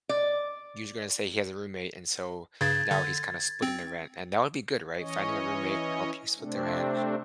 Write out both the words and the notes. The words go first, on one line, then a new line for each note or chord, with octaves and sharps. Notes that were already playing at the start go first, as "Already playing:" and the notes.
you were just gonna say he has a roommate, and so now he's kinda splitting the rent, and that would be good, right? Finding a roommate to help you split the rent.
D5
G2 C#3 G#6 A6
D3
C4
E3 C#4 C#5 D#5
C3 A3 C4 D4